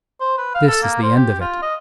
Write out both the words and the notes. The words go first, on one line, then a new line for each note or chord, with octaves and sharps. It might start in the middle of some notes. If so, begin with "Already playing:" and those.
This is the end of it.
C5
B4
F5
A4
A#3
C5
G4
F4
D#5